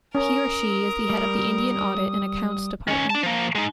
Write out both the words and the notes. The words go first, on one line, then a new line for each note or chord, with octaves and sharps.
He or she is the head of Indian Audit and Accounts Department.
C#4 A#4 D#6
G3
D#3 C#4
D4 A5
F3 A#3
G#3 D#4